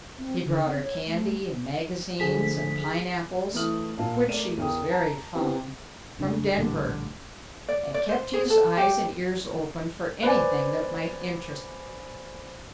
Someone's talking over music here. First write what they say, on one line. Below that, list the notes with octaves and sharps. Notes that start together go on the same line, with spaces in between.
He brought her candy and magazines and pineapples--of which she was very fond--from Denver, and kept his eyes and ears open for anything that might interest her.
C4
D3
C4
C#5
A3
D3 F3 G#4 B6
E3 A3 E4 D#6 F6 F#7
A#1 A#3 F4 A5
A3 A#4 D5 D#7
E2 A#4 E5 G5 D#6
A5 A#5
B3 C4 E4 G4
F1 C#3 D4
A#1 A2 D3 G3
D5
D5
C5
G#4
A4
G4
B4 C5 D5 G#5